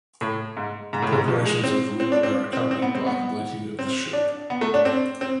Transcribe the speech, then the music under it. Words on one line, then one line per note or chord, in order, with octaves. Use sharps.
The preparations of the women are accompanied by the bleating of the sheep.
A2
G#2
G#2
A2
G#2
F3
G#3
C4
C4
D4
C4
C4
C4
B3
C4
B3
C4
D4
B3
A3
D4
C4
C4